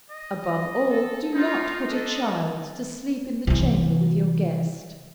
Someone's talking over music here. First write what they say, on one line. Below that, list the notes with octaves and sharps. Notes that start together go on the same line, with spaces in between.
Above all, do not put a child to sleep in the chamber with your guest.
D#5
A4
D#4 F4
D4 A4 D#5
C3 E3